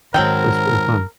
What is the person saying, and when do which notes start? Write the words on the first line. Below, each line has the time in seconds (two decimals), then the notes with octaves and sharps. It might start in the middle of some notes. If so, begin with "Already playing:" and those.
It was pretty fun.
0.14 G#2 D#3 F#3 C4 A#4 G5